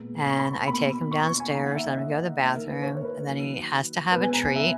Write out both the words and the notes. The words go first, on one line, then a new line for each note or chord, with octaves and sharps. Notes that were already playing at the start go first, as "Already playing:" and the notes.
and I take him downstairs, let him go to the bathroom, and then he has to have a treat,
Already playing: A#2 G#3 B3
C#6
B5
B5
B2 A#3 B5
C#6
C#6
G#5
D#3 A#3 A#5
F#5
E5
D#5
E5
F#5
D#3 A#3 E5
A#4
B4
C#5
A#4
B4
D#3 F#3 A#3
B2 G#3 B3 B4
G#5
A#5
G#5
E5